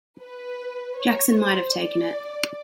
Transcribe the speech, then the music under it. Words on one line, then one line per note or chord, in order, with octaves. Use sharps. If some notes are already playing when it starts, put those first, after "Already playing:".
Jackson might have taken it.
B4
C#5
C5
D5